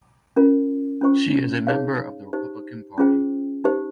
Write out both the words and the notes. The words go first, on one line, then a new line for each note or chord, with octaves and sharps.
She is a member of the Republican Party.
C#4 F4 A#4
C#4 F4 C5 G5 C#6
D#4 G#4 C#5 F5
D#4 G4 C5
C#4 F4 G#4 C5 G5
D#4 G4 C5